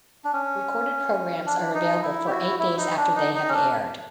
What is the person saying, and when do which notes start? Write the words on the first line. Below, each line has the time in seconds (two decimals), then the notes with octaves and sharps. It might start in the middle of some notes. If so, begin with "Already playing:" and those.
Recorded programs are available for eight days after they have aired.
0.25 D4
0.33 C#4
1.46 D4
1.74 D#4
2.02 E4
2.27 G4
2.30 E4 F#4
2.59 E4
2.78 D#4
2.97 D4
3.16 D#4
3.35 D#4
3.49 C#4
3.53 D4